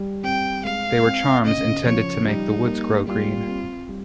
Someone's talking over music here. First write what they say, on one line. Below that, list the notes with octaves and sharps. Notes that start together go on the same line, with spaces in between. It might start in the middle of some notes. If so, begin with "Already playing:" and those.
They were charms intended to make the woods grow green.
Already playing: G3
C4 G5
G#3 F5
C4
C#3 D#5
F3 C#5
G3 D#4
A#3
G3 F4
C4
G3